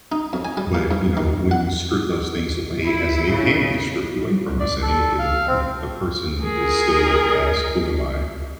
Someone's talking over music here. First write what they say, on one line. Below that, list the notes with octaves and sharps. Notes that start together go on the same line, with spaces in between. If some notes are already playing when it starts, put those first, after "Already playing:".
but, you know, when you strip those things away- as they can be stripped away from us at any given point- a person is still left to ask, "Who am I,
D#4
F2
G#5
G3
A#2
G2
D#3
F#5
E4
C#3
D5
A4
F5
C4
G#4 A#4